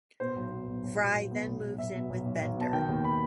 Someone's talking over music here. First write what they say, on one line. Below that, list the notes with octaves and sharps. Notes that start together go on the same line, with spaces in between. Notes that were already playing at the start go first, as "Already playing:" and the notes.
Fry then moves in with Bender.
B2 C5
B1
B2
B1
B1
B1
B1
B2
B1
B1
B1 E5
B2
B1
B1
B1
B2 A5
D#3 G5
D#2
B5